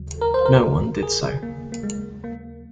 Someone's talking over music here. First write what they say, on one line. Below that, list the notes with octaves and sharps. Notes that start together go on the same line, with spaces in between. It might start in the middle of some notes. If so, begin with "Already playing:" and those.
No one did so.
Already playing: D#2 C#3 F#3
A#4
C5
A#4
G#4
A#3
A#3
G#3
A#3